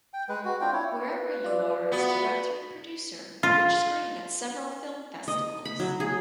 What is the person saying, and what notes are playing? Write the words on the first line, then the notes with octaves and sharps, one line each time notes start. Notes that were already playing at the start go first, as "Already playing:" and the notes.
Wherever You Are as director and producer, which screened at several film festivals.
G5
G#3 B4
F#4
C4 D4 F4 G5
E4 C#5
B4
F4 D5 E5
B3 F#4
F4
D#5
B5
F#3
G#4